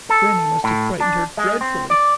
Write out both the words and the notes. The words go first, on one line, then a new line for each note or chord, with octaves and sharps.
Grannie must have frightened her dreadfully.
A4
A2
D4
G#3
C4
D5